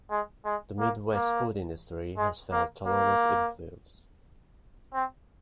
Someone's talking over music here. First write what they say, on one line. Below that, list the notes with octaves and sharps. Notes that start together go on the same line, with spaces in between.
The Midwest food industry has felt Tolono's influence.
G#3
G#3
A#3
A#3
G#3
A#3
A#3
C4